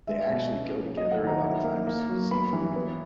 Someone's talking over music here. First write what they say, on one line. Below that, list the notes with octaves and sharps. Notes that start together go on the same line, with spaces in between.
they actually go together a lotta times with seafood.
G#3 E5
B2
C#4
A#3
F#3 D#5
F#5
D#3
A#5
E4
A#3
A#3
F#3
B3 B5
E3
B3